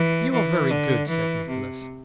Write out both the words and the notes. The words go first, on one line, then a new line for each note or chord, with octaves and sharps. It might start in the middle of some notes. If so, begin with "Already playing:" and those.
'You are very good,' said Nicholas.
Already playing: E3
E3
D3
E3
C3